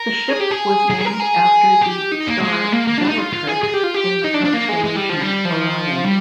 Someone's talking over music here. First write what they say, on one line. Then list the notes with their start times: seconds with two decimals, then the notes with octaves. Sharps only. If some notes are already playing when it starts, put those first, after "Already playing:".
The ship was named after the star Bellatrix in the constellation Orion.
Already playing: A#4
0.30 G#4
0.40 G4
0.52 G#4
0.91 G#4
1.01 G#4
1.06 A#4
1.20 G#4
1.82 G4
2.12 D#4
2.27 A#3
2.41 G#3
2.72 A#3
2.87 A#3
2.98 D4
3.07 D#4
3.18 F4
3.33 F4
3.47 G#4
3.63 G#4
3.74 G4
3.83 F4
3.94 G4
4.24 D#4
4.34 D4
4.45 D4
4.54 A#3
4.69 G#3
4.84 G#3
4.96 G3
5.10 F3
5.22 G3
5.45 F3
6.05 G3